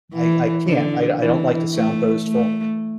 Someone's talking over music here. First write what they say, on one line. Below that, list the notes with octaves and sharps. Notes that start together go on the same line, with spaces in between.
I I can't, I I don't like to sound boastful
E3
D3
E3
A3
A3